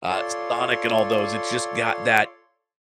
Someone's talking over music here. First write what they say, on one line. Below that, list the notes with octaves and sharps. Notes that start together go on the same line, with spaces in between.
uh, Sonic and all those, it's just got that
F4 A4 C#5 D5 C6